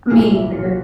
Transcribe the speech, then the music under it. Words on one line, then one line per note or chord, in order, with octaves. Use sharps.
I mean, he was
C2 A#2 F3 G#4
E4
C2 A#2 F3 F4
F#4